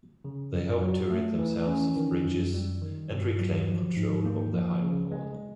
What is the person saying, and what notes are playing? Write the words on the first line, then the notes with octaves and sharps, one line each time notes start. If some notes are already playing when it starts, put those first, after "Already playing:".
They hoped to rid themselves of Bridges and reclaim control over the hiring hall.
C#3
F#2
F#3
A3
E3
C#4
D#3
F#2
G3
D#3
G2
F#3
F3
G#2
A#3
F3
C#3
G#3